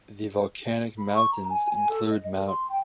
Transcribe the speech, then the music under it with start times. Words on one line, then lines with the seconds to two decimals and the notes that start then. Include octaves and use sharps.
The volcanic mountains include Mt.
0.98 B5
1.14 C#6
1.31 A#5
1.49 G#5
1.69 G#5
1.88 A4
2.10 D#5
2.32 A#4
2.47 C6
2.69 G5